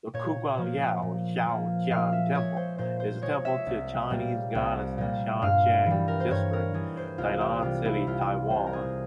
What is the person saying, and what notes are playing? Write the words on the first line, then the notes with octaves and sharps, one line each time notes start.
The Kugualiao Chao-Tian Temple, is a temple to the Chinese goddess in Shanshang District, Tainan City, Taiwan.
A#2 C#5
F3 A#3
A#2
F3 A#3
A#2 F5
E5
G#3 C#5
C5
A#2 C5
C5
G#3 C#5
E5
C2
A#2 G3 A#3
C2
A#2 G3 A#3
G2 F5
E3 G3
A#4
C5
G2 C#5
A#4
E3 G3 G#4
C5
C2 F4
G4
C3 G3 F4
E4
C2 F4
C3 G3 C5
A#4
G#4